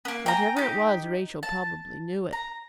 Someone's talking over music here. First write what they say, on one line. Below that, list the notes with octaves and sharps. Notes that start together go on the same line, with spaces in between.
Whatever it was Rachel probably knew it.
A#3 B3
G5 G#5 A#5
D#4 G4
A5
A#5